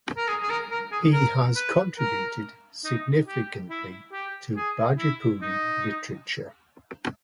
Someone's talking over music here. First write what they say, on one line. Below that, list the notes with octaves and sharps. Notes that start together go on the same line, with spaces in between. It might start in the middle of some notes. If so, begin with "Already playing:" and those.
He has contributed significantly to Bhojpuri Literature.
A#4
G#4
G#4
A#4
A#4
G#4
A#4
B4
A#4
D#4
G4
E4
G4
G#4
E4
D#4